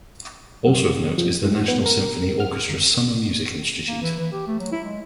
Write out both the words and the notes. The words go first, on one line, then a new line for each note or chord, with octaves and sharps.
Also of note is the National Symphony Orchestra Summer Music Institute.
F#2
F3
G#2
B3
A#4
F6
G1
A#3
E3
E3
G4
A3
F#3
E4
G#3